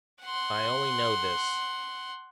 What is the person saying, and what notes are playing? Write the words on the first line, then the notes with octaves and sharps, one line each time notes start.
I only know this.
F#5 C6